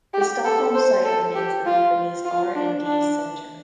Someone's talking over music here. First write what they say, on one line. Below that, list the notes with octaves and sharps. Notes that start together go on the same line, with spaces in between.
The Stockholm site remains the company's R and D center.
G4
A4
C5
A4
G4
F4
F4
D4
D4